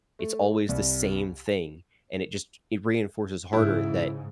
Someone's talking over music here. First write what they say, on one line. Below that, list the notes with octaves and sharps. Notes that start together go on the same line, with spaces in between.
It's always the same thing, and it just ch it reinforces harder that
A3
C2
G#2 C#3 E4